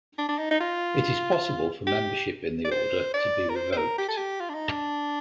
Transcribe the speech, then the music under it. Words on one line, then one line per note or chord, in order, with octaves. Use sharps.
It is possible for membership in the Order to be revoked.
D4
D4
D#4
D#4
F4
G4
D5
C5
D5
A#4
C5
C5
A#4
G4
A4
G4
F4
D4
D#4
D4